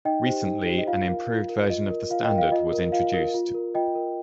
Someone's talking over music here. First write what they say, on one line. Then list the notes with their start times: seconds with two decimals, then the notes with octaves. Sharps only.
Recently an improved version of the standard was introduced.
0.05 D#4 D#5 G5
0.26 G4 C5
0.46 D#4
0.67 G4 C5
0.78 D#5
0.87 F4 F5
1.08 A#4
1.29 F4
1.49 A#4
1.70 F4 D#5
1.90 A#4
2.10 F4 F5
2.24 D#5 G5
2.31 A#4
2.38 F5
2.52 F4 D#5
2.72 A#4
2.92 F4 F5
3.14 A#4
3.34 F4
3.54 A#4
3.75 F4 D#5 G5
3.95 A#4